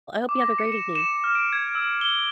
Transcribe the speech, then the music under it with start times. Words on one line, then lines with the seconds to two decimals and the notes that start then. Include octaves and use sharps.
I hope you have a great evening.
0.29 D6
0.41 A#6
0.58 C#7
0.72 E7
0.95 E7
1.24 F6
1.35 D7
1.53 G#6
1.75 E6
2.01 G7